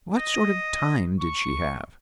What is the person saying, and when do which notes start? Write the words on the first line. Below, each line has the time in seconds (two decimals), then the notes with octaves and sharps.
What sort of time did she have?
0.17 D#5
1.20 C#6